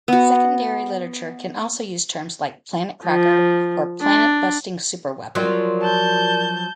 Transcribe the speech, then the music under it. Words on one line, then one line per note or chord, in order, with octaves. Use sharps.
Secondary literature can also use terms like "planet-cracker" or "planet-busting superweapon".
B3 F#4
F3
D4
F3 F#3 A#4 D5
A5 G6